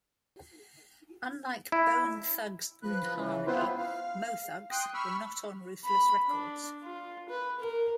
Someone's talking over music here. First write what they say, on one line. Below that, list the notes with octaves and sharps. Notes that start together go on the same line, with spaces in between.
Unlike Bone Thugs-n-Harmony, Mo Thugs were not on Ruthless Records.
E4
F3 B4 F#6
C#3 E3
B3 C4 E4 F4 B4 C5
F5
G5 C6 D#6 F#6
B5 C#6 E6 F6
B5
D4
F4
B4
A#4